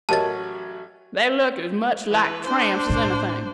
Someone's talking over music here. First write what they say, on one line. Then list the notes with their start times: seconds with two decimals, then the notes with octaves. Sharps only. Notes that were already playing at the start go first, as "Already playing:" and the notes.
They looked as much like tramps as anything.
0.09 A1 F#3 G4 A#4 C#5 D#5 A5 A6
2.10 E3 B4
2.46 D4 C5
2.90 A2